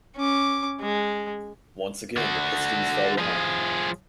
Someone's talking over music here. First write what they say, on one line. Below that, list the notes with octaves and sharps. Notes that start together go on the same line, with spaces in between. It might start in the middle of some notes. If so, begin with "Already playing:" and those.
Once again, the Pistons fell behind.
C#4 D6
G#3
D3 F#4
F3 G#4